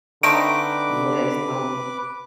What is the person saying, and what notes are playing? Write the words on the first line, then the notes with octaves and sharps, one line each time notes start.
Yes, call me
D3 A3 C4 D#4 B4 D6 D7